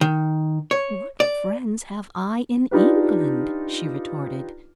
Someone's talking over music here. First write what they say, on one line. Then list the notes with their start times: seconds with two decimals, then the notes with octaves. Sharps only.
"What friends have I in England?" she retorted.
0.01 D#3
0.71 C#5
1.20 D5
2.71 D4 D#4 F4 G4 B4